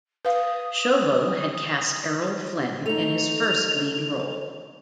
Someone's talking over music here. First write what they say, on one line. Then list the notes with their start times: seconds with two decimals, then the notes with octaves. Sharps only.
Chauvel had cast Errol Flynn in his first lead role.
0.25 B4 F5 D#6
2.86 A3 D#4 F7